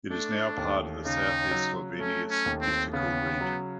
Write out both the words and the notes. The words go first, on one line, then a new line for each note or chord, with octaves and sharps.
It is now part of the Southeast Slovenia Statistical Region.
A3 D4
D#2
C#3 D#4
F#3
A3 C#4
C#4
D#2
C4
C#3 B3
F#3